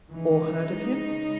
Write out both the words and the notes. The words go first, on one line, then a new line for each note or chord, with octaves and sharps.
"Or heard of him?"
C#3 E3 G#3 D#4